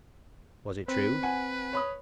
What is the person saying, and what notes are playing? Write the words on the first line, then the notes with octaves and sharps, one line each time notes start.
"Was it true?"
C4 B4
F#5 G#5
C#5 B5 D#6